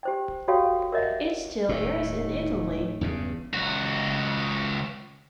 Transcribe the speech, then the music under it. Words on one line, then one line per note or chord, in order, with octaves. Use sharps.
It still airs in Italy.
G4 C5 G5
F#4 G4 A4 C#5 F5 G5
A#4 C#5 D#5 E5 F#5
D#1 A2 D#4
E2 G2 C#3
C#2 F#4